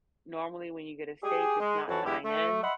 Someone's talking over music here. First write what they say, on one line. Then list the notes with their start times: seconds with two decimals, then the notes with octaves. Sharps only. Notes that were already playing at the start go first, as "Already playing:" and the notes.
normally, when you get a steak, it's not dine in,
1.24 G4 G#4
1.60 G#3
1.88 F2 E3 F#4 C#5 A5
2.06 E2 G#3 E4 G4
2.25 A3
2.63 D#5 E5 F#5 B5 C6